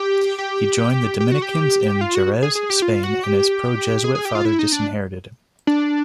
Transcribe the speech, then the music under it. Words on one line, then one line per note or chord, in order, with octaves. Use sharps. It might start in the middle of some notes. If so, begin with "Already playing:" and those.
He joined the Dominicans in Jerez, Spain and his pro-Jesuit father disinherited him.
Already playing: G4
G4
G4
F#4
G4
F4
F#4
G#4
G#4
G4
F4
F#4
G4
G#4
G#4
G4
F4
E4
D#4
D4
D4